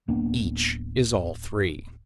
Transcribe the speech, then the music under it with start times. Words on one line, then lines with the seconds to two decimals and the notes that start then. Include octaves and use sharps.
Each is all three.
0.08 D1 A#3 B3 D4